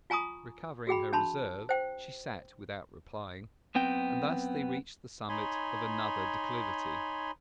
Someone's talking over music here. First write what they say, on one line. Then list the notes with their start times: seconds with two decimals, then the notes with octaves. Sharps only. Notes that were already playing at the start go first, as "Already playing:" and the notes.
Recovering her reserve, she sat without replying, and thus they reached the summit of another declivity.
0.10 F4 G#5 A#5 C#6 D#6
0.87 F#4 G#4 G5 B5
1.13 D4 A5 B5 C6
1.69 C5 G5
3.75 F#2 B3 C4 G5
5.29 D#4 C#5 G#5 B5 C6